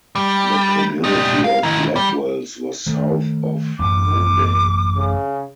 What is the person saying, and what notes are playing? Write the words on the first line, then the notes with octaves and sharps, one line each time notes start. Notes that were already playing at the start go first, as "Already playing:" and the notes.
The community of Blackwells was south of Noonday.
G3
G3 D#4
F5
D#3 E4
G3
D#3 A3
A1 F#2 D6
C#3